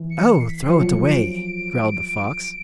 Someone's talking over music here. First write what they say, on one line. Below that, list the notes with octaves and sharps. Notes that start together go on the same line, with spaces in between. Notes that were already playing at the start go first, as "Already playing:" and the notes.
"Oh, throw it away!" growled the fox.
Already playing: E3
C#7
C7
B6
C7
F3 C#7
F#3
F3
D7